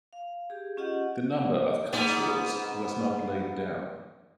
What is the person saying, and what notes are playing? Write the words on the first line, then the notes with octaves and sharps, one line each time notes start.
The number of councillors was not laid down.
F5
G4 G#4
C#4 F4 G4 D#5 F#5
G#2 B3